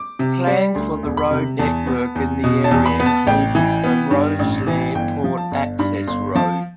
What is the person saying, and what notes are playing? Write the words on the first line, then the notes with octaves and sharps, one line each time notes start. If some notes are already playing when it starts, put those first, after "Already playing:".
Plans for the road network in the area include the Rosslare Port Access Road.
Already playing: D6
C3
G3
D2 C6
E1
B5
C3
E2 A5
B3
E2
B2
A5
E2
B5
B3
A5
A1 G5
E3
B3
G2
A1
E3
G1 G5
F3
A5
G1
G2 B5
G1 C6
F3 A5